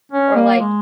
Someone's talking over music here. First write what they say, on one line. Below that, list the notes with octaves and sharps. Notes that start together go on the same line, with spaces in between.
or, like,
C#4
A#3
G#3